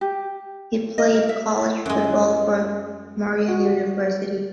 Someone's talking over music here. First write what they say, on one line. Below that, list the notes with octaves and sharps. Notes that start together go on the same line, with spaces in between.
He played college football for Marian University.
G4
D#5
A#4
E5
F#2 G#3
F#4